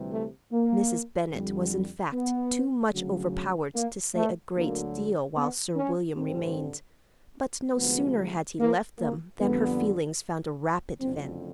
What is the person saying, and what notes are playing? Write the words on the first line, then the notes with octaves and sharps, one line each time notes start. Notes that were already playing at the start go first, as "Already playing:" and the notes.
Mrs. Bennet was in fact too much overpowered to say a great deal while Sir William remained; but no sooner had he left them than her feelings found a rapid vent.
Already playing: D2 C3 E3 G3
A3
A#3
F2 D3 G3
B3
D2 C#3 F#3
A#3
A3
D2 D3 F#3 A#3
B3
C#4
A1 G2 D3 C4
D2 C3 F3 G#3 B3
A#3
A#3
F2 D3 G3 B3
F#1 F2 D3 C4